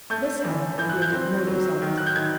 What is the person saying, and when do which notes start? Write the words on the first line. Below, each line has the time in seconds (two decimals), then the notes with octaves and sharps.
This however yielded no result.
0.10 A3 G6
0.45 E3
0.78 E3 G6
0.89 F#6
1.02 G6
1.12 C4
1.47 F#3
1.82 D#3
1.98 F#6
2.06 G6
2.16 D#3 G#6